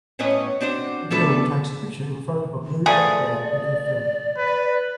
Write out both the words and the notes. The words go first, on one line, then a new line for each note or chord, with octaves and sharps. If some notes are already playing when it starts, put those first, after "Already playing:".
A girl takes a picture in front of a blue background with her friend.
A2 C#4 B4 C#5 D#5
C4 D4 F#4 C5
B2 A3 D4 A4 B4
F3 A3 G#4 D5
B4